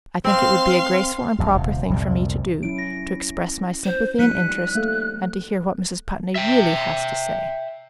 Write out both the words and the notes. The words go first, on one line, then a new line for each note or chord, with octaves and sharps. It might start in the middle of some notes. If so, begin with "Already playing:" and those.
I think it would be a graceful and proper thing for me to do, to express my sympathy and interest, and to hear what Mrs. Putney really has to say.
C4 F5 C6
A#1 F#2
D#1 C3
C2 F2 A#2
F#3 C#4 E4 D7
A#6
C5
F3 G3 D#4 F#6 B6 C#7 D#7
A3 A#3 A4
E5 G5